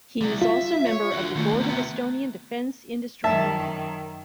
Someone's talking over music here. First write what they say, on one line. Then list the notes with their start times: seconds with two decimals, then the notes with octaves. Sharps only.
He is also member of the Board of Estonian Defense Industry Union.
0.21 C3 G3
0.42 F4 E5
0.87 C#5
1.12 D4 F#4
1.35 D#3 A3
1.60 C3 B3
3.24 F#2 D#3 E5 A5